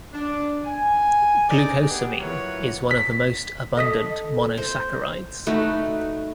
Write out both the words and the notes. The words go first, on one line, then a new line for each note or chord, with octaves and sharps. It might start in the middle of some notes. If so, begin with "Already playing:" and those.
Glucosamine is one of the most abundant monosaccharides.
D4
G#5
D#4 G#4 A4 D5
B3 G4 G#4
E3 F#3 F4 A#4 B4 C#5
B6
A4 D#5 D#6 B6
C5
A3 D#4 F#4 B4